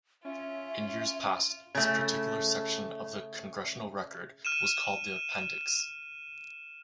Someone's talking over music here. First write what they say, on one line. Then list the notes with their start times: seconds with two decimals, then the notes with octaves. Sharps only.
In years past, this particular section of the "Congressional Record" was called the "Appendix".
0.25 C#4 F4 E5
1.75 C#3 A3
4.45 F6 D#7 E7